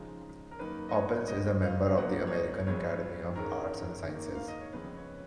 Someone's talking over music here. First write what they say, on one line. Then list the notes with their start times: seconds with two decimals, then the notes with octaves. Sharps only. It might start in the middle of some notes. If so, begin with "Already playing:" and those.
Oppens is a member of the American Academy of Arts and Sciences.
Already playing: C#3 F3 G#3 D#4
0.51 A#4
0.59 F#2 D#3 A#3 D#4 B4
0.89 D#5
0.95 C#5
1.28 C#2 B2 G#3 C#4 D#5
1.62 F5
1.86 F5
1.97 C#2 B2 F#3 A#3 F#5
2.27 C#5
2.33 D#5
2.67 F2 F3 G#3 B3 C#5
3.36 G#2 D#3 G#3 C#4 A#4
4.04 D#2 D#3 A#3 D#4
4.35 F5
4.48 D#5
4.61 C#5
4.73 F2 C#3 G#3 B3 B4
4.97 C#5